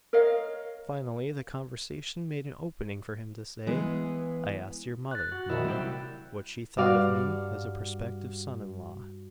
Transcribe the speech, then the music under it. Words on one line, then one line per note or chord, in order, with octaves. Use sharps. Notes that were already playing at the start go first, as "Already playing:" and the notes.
Finally the conversation made an opening for him to say, "I asked your mother, Mona, what she thought of me as a prospective son-in-law."
A#4 C#5 D#5 F5
E3 G#3 B3
F#6 A6
F#4
A#2 D#3 G3 E4 F#4
C2 C3 F#3 E4 G5
G2 F#4 D5 F5 F6